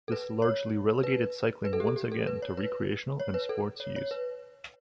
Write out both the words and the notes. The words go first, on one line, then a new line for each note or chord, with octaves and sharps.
This largely relegated cycling once again to recreational and sports use.
A4
B4
C#5
B4
B4
A4
G4
A4
G4
A4
B4
C#5
B4
C#5
B4
A4
C#5
C#5
B4